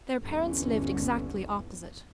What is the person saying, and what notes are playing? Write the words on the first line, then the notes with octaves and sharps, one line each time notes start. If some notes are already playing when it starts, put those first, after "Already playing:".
Their parents lived exactly opposite.
G1 D#2 D3 E3 B3 C#4